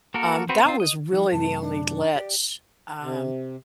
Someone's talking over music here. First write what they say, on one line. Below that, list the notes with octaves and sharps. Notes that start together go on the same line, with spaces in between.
um, that was really the only glitch, um
A#3 F#4 A4 A#4
C4 F#4 B4 C5
C4 F4
D#5
F3 D#4 F#4
F#2 C3 A3 A5
D4
G4 D5
C3